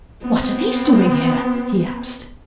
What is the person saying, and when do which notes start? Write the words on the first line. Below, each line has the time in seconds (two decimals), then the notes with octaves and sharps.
"What are these doing here?" he asked.
0.21 B3 C4